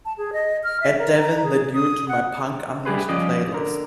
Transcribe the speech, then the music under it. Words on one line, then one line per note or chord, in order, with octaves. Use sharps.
Add devin the dude to my punk unleashed playlist.
A5
G#4
D#5
F6
E5
A#4
A#5
G#4
D#6
F#5
G3 A3 G4 G#4 B4 C5
F3 C#4 D5 D#5
D3 A#4